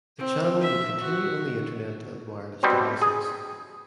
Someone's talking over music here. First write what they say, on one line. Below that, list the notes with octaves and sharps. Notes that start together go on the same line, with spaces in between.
The channel would continue on the internet and wireless devices.
C4
E5
F#4
B2 G3 C4
G#4